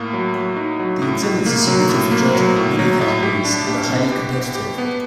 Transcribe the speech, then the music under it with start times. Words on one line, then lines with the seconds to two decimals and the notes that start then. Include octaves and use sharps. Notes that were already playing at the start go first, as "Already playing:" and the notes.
The exhibits are submitted for judging in many categories, and are highly competitive.
Already playing: A2 A#3
0.13 F#3
0.35 F#3
0.57 D#4
0.79 F#3
1.02 A2
1.23 A2
1.46 A#3
1.67 F#3
1.89 A2
2.11 A#3
2.35 F#3
2.56 A2
2.79 F#3
3.01 A2
3.23 G4
3.45 D4
3.67 G4
3.89 B3
4.12 G4
4.33 G4
4.55 G4
4.78 B3